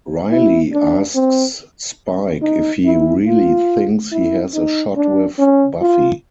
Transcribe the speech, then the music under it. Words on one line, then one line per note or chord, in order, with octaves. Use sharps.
Riley asks Spike if he really thinks he has a shot with Buffy.
E4
D4
C4
D#4
E4
F4
E4
D#4
D4
C#4
F4